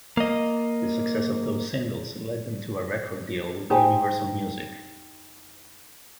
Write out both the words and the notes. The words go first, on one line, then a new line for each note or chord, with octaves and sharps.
The success of those singles led them to a record deal with Universal Music.
A#3 D#5
D#4 G4 C5 G#5